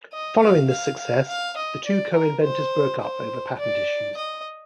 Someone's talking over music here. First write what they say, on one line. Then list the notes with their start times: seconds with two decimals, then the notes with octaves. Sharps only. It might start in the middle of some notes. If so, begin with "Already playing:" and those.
Following this success, the two co-inventors broke up over patent issues.
0.13 D#5
0.41 F5
0.70 F5
1.00 F5
1.28 F5
1.57 D#5
1.86 D5
2.14 A#4
2.43 C5
3.01 C5
3.59 D5
4.17 D#5